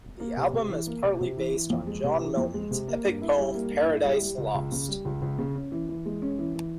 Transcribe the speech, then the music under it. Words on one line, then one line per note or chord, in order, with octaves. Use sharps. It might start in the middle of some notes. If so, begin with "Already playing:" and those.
The album is partly based on John Milton's epic poem "Paradise Lost".
A#3
C3
C3
E3
A#3
C3
C3
E3
E3
F2
G#3
C3
E3
F2
G#3
C3
A#3
G2
E4
G3
A#3
G2
E4
G3
G3
C#2
C#2
C#3
G3
C#2
C#2
C#3
C#4
E3
E3
G#3
C#4
E3
E3